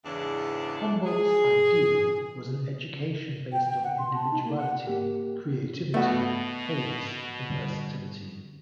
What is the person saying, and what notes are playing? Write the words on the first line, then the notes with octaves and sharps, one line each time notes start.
Humboldt's Ideal was an education based on individuality, creativity, wholeness, and versatility.
E2 G#2 C#3 E3 D4
G#4
G5
G5
F#5
C6
A5
D#4
A#3
F#5
A#3 G4
B2 A3 B3 F#4
D3 G3